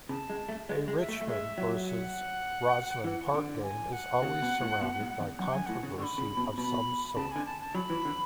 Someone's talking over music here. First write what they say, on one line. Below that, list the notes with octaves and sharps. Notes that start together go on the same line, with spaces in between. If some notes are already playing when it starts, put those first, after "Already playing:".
A Richmond versus Rosslyn Park game is always surrounded by controversy of some sort.
C#3 A5
G#3
A3
G#3
G#3
E5
A3
A3
G#3 E5
F#3
F#5
E3
D3
G#5
F#5
C#3
B2
A2
B2
G#2
E2
F#2 F#5
F#2 G#5
A2 F#5
C#3
D3 C#6
B5
C#3
B2
B2 B5
C#3 A5
D3 G#5
A5
A5
F#3 B5
E3
D3